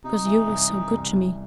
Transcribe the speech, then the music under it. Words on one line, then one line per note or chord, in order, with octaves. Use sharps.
"Cause you was so good to me."
C3 D#4
E3
C2
E3
C2
C2